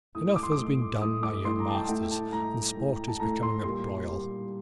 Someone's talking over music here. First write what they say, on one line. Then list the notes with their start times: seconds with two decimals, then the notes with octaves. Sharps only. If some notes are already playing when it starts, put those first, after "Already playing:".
"Enough has been done, my young masters, and the sport is becoming a broil."
0.15 A2 A3 D#6
0.36 D6
0.43 C6
0.52 D6
0.59 A2 A3
1.01 A2 A3 D#6
1.23 D6
1.45 A2 A3 C6
1.60 A#5
1.70 A5
1.75 G5
1.89 A2 A3 G5
2.11 A5
2.32 A2 A3 A#5
2.77 A2 A3
3.08 A5
3.20 A2 A3 A#5
3.43 C6
3.64 A#2 G3 C6
4.08 A#2 G3